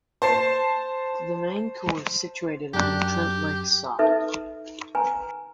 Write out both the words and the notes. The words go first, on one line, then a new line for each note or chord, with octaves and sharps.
The main core is situated on the Trent Lakes side.
C5 A5 C7
F#2 D4 G4
D#4 A4 B4 E5
B4 G#5 A#5